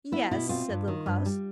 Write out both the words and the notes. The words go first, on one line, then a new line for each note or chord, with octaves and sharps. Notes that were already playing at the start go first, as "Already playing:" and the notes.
'Yes,' said Little Klaus.
B3 E4
B2 E4
C4 F4
G2
D#3
G2
G3